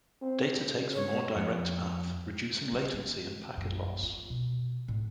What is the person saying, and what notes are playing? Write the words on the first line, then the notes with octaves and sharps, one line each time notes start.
Data takes a more direct path, reducing latency and packet loss.
C4
C#3
C#5
F2 C#5
G3
E3
A#1 F#2
F4
B2
A2